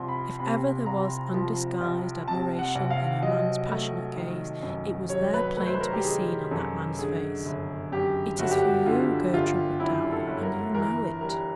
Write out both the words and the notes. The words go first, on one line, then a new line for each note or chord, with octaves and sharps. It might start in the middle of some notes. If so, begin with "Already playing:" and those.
If ever there was undisguised admiration in a man's passionate gaze it was there plain to be seen on that man's face. It is for you, Gertrude MacDowell, and you know it.
Already playing: C2 F3 C6
B5
C3 B5
C2 A#5
F3
C2
C3 A5
F#5
C2
F5
F#3 D#5
A3
D#3
F#2
F#3 C#5
B4
A3 B4
C5
B4
A#4
G4
D#3 G#4
F#2 A4
D3 G#4
G1
F#2 G4
G1 F#4
G4
F#4
D3 F4
G1 F4
F#2 E4
A4
G1
A#4
E3 A#4
G3 A#4